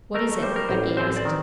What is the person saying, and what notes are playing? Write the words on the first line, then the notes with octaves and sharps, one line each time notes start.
'What is it?' Becky asked.
A3 A#4
G3 C5
A#4
A1 C5
C4 C5
D5
D#3